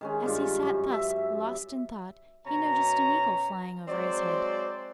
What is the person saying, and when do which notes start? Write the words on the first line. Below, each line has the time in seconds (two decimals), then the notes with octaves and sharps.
As he sat thus lost in thought, he noticed an eagle flying over his head.
0.01 D#3 G#3 C#4
0.26 G2 F4
0.62 F#2
0.92 E5
2.46 F#2 B2 C#4 A#5
3.88 F#3 G#3 C4 C5 D5